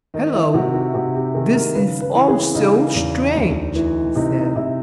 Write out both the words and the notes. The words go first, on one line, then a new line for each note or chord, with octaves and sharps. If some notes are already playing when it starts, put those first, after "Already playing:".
"Hello, this is also strange!" he said.
D#3 D#4
E4
C3 F#4
F#4
C3 F#4
G4
D#3 G#4
A#4
C#3 B4
B4
E3
G#4
C#3 D#4
E2
D2
E3
C3 D#4
D#4
C3 E4